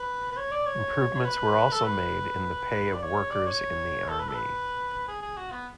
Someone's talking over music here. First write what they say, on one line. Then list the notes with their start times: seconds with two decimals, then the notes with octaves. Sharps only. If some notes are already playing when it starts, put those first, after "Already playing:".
Improvements were also made in the pay of workers in the Army.
Already playing: B4
0.32 B4
0.37 C#5
0.51 D5
0.66 C#5
1.15 C#5
1.25 B4
1.72 A4
1.84 B4
2.94 D5
3.02 C#5
3.31 D5
3.46 C#5
4.09 A4
4.19 B4
4.29 A4
4.35 B4
5.08 G#4
5.22 G#4
5.37 F#4
5.51 B3